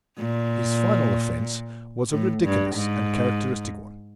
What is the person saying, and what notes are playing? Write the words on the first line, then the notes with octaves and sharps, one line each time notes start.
His final offence was a ridiculous and characteristic one.
A#2
A2
G2
G#2